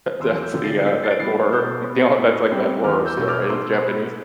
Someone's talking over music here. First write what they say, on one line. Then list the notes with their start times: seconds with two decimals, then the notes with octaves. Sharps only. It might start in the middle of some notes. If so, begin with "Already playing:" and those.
That's the, uh, that horror m you know? That's, like, that horror story, right? It's Japanese?
0.20 E2 C6 E6
0.42 E6 G6
0.53 D3 F3 A3 C4
0.64 A6 C7
0.79 C7
0.86 A2 G6 B6
1.04 A6 C7
1.11 D7
1.19 E3 G3 B3 A6 C7
1.52 B2 E6 G6
1.86 B3
2.18 A2
2.51 G3 C4
2.84 E2 D6 F6
3.06 E6 G6
3.17 B2 A3 G6
3.28 D6 F6
3.50 B2 C6 E6
3.83 B3